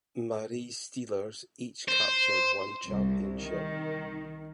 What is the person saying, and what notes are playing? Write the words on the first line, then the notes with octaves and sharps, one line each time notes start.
Marie Steelers each captured one championship.
C5
C2
D#3